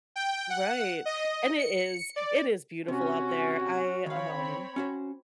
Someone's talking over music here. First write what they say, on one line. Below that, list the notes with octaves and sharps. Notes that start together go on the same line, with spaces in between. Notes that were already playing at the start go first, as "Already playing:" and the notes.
Right, and it is it is beautiful out there. I, um
G5
F#5
D#5
C#7
D5
C3 C#4 F#4
D#3 C4 C#5 F5 B5
C#4 F#4 C5